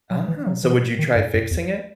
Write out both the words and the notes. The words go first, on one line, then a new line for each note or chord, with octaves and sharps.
Oh, so would you try fixing it?
F#3
E3
F#3
E3
D#3
G2
F#2
E2